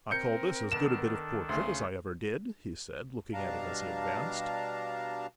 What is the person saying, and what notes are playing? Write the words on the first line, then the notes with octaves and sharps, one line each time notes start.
"I call this as good a bit of portrait as I ever did," he said, looking at it as he advanced.
C4 A#4 G6 C#7
D#3 B3 D4 A4 E7
D2 C#3 C6
B2 G3 D4 F5 A5 A#5